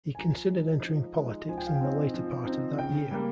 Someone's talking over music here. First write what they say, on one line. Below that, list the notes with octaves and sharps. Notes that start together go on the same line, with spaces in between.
He considered entering politics in the later part of that year.
G#5
F3 A#5
G#3 D#4
F3
G#3 D#4
F3 G#5
G5
F5
G5
C4 D#4
F3
C4 D#4
C#3 G5
G3 A#3